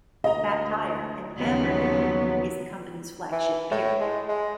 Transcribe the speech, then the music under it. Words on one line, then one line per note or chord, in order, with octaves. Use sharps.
Fat Tire, an amber ale, is the company's flagship beer.
D2 D#5 A#5
D#2 C#3 F3 F#3 B3
E3
A2
G#3
G#3